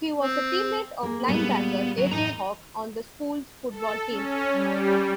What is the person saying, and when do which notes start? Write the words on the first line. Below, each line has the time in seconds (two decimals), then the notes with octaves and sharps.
He was a teammate of linebacker A. J. Hawk on the school's football team.
0.21 C4
1.03 A#3 G#4 A#4
1.28 A#2 G3 G#3 B3
1.98 D2 F#3
2.11 E2 A2 D#4 D#5 A#5
3.71 A4
4.10 C#4
4.53 G3